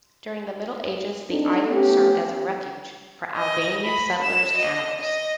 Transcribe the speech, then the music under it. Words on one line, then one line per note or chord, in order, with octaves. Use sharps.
During the Middle Ages the island served as a refuge for Albanian settlers' animals.
C4 D4 D#4 A4
A3 B3 C#4 G4
D#5
B5
E7
D#5
D#5